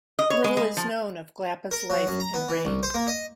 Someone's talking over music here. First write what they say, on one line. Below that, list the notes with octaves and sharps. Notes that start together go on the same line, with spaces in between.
Little is known of Glappa's life and reign.
D#5
C#5
G#3
G#3
F3
A#4
F#3
F#2
A#5
B3
E3
C2
C5
A#3
D#5